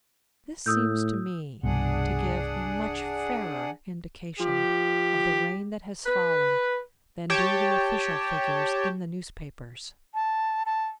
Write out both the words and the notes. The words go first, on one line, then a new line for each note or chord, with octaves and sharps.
This seems to me to give a much fairer indication of the rain that has fallen than do the official figures in the newspapers.
A2 D#6 E6 G6
C2 G2 B2 D4 G#4 F#5
F3 G4
B4
G4 C#5 G5 A5
A5
A5